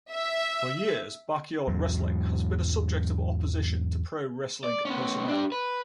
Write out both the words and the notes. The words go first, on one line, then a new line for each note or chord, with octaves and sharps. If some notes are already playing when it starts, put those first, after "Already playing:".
For years, backyard wrestling has been a subject of opposition to pro wrestling personnel.
E5
E2 G#2 F#3
D5
B3 C#4
D4 G4
B4